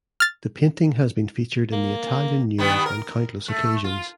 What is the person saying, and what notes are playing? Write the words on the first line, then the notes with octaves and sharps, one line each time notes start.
The painting has been featured in the Italian news on countless occasions.
F6 A6
A#3
D#3 G3 B3
A#4
A3
F4